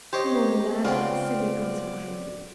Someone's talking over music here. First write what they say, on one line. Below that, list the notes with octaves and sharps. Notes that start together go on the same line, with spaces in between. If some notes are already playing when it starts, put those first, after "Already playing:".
"No, me lad," Cilley answered gravely.
G4 C5 C#5 D#5
C#3 B3 C4 F4 D5 G5